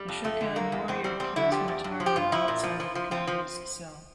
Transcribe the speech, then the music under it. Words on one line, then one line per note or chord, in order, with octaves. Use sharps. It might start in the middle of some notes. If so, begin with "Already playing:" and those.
The Shokan warrior kills Motaro outside of Kano's cell.
Already playing: G3
F2
F2 A3
D3
E2 A#3
E2
E2 C4
G3 C4
E2 C4
D3 E4
F3 G4
E2
G2
F3
G4
G2 F4
F3 E4
A#2
F3
F3
F3
F3 C4
F3